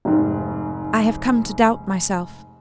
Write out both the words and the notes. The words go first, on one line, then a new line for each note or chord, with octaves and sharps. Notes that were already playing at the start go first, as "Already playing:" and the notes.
I have come to doubt myself.
F1 G#2